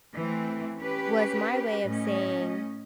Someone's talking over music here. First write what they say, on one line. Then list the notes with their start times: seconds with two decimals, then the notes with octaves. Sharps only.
was my way of saying,
0.15 E3 A3 C4
0.77 C#4 G4 B4
1.82 A2 C#4 D#5